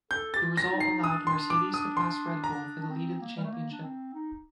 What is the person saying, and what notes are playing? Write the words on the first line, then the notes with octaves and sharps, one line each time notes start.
The result allowed Mercedes to pass Red Bull for the lead of the Championship.
A4 G6
G4 A6
F4
F4 A#6
D#4
C7
D#4
D4 D#6
C6
D6
D#6
C6
A#5
D4
C4
A#3
G3
A3
A#3
D4
C4
D#4